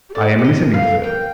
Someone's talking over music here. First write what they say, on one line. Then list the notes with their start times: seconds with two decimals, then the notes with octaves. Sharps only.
"I am listening, sir."
0.10 G4
0.14 A4 D5
0.37 G4 D5
0.44 D#5
0.59 A#4
0.74 F5
0.82 A4
1.03 A#4 G5